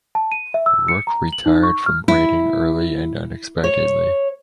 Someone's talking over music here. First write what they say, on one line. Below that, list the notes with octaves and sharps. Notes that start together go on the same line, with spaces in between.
Rook retired from writing early and unexpectedly.
A5
D#7
E5
E6
C#7
A#5
F#7
D#4
C#6
F6
E4
C#5